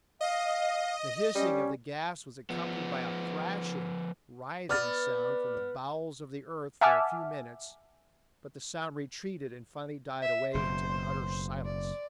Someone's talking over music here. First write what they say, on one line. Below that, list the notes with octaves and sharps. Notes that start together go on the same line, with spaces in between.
The hissing of the gas was accompanied by a thrashing, writhing sound from the bowels of the earth for a few minutes, but the sound retreated and finally died away into an utter silence.
D#5 F5
G3 C#4
F3 B3
B3 D5 F6 A6
E5 F#5 G#5 A5 D6 F6
E5
F#1 B2 C5
D5